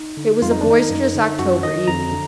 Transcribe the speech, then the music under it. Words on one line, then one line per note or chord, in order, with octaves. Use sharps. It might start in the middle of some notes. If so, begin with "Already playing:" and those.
It was a boisterous October evening.
Already playing: D#4
D3
F2 F4
D#4
D4
D#3
D#4
F#2
D3
F#2 F#4
D#3 D#5
F2 A#5
D3